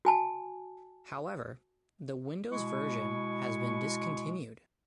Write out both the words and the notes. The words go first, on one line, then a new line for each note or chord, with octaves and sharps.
However the Windows version has been discontinued.
F#4 G#5 A5
B2 G#3 E4 C#6